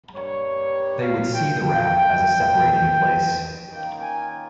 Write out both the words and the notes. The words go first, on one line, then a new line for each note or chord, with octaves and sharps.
They would see the Raft as a separating place.
G2 G3 A#3 C#5
F5
G5
G5
D#3 A#3 C#4 F4 G5
G#5